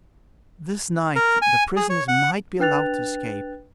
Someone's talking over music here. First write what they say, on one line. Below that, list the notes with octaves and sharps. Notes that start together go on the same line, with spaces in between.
"This night the prisoners might be allowed to escape."
A#4
G#5
G#4
C#5
F#5
D4 B4 G5 F#6 A6 F7